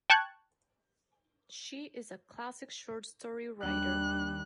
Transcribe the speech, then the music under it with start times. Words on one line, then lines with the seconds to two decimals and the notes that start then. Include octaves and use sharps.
She is a classic short story writer.
0.10 G5 A5 C#6 F#6 G#6
3.63 D#2 G3 D4 F#6